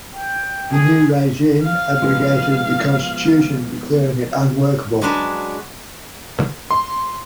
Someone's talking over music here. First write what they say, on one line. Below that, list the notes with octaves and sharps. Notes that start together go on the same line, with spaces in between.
The new regime abrogated the constitution, declaring it unworkable.
G5
G#4
F5
F3 G#3 B3
F#3 G#3 D4 F#4 B4
C6